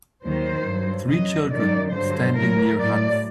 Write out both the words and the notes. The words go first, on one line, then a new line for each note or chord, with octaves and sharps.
Three children standing near huts.
D#2 D#3 F#3 C5
G2 F#3
F#2 F#3 D#5
F#2 D#3 F#3 D5
G2 D3 F#3 C5
A2 F#3 A#4
A2 F#3 D5